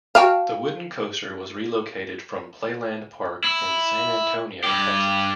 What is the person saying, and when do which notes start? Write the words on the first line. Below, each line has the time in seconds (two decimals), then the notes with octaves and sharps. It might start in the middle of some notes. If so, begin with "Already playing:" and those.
The wooden coaster was relocated from Playland Park in San Antonio, Texas.
0.15 F#4 F5 G5 A5
3.44 E4
4.64 G2 G4